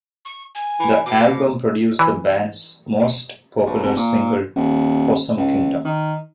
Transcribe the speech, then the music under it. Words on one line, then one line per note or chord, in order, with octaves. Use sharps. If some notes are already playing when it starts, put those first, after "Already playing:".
The album produced the band's most popular single, "Possum Kingdom".
C#6
G#5
E3
B2 D6
E3
B1
F1
A#2
D#1
C#2
D#3